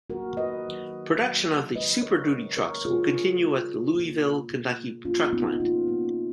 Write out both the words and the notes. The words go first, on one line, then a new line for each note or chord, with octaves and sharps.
Production of the Super Duty trucks will continue at the Louisville, Kentucky truck plant.
D#3 F#3 A#3 F#4 A#4
B4 D#5
D#3 F#3 A#3
D#3 F#3 A#3
C#3 G#3 B4 D#5
A#4 C#5
C#3 G#3
A#4 C#5
C#3 G#3 F4 G#4
C#3 G#3
B2 A#3
B2 A#3
B2 A#3 C#4 F4
B3 D#4
B2 A#3 C#4 F4
A#3 C#4
A#3